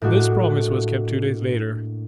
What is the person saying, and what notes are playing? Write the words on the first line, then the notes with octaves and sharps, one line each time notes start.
This promise was kept two days later.
A2 G#3 A#3 D4 F#4